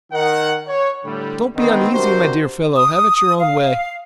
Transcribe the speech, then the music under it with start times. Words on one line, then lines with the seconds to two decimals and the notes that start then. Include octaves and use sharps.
Don't be uneasy, my dear fellow, have it your own way.
0.13 D#3 A#4 F#5
0.68 C#5
1.05 A2 D3 G3
1.56 D3 D#3 B3 C4
1.93 C3 D4 F#4 G4 A#4 C5
2.76 D#6
3.39 F5